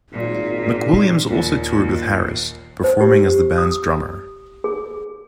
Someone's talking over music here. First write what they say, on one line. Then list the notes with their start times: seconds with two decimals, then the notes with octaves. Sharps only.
McWilliams also toured with Harris, performing as the band's drummer.
0.12 G#1 A#2
1.28 D#2 A#2
2.84 C5
3.01 G4
3.58 D#6
4.64 G#4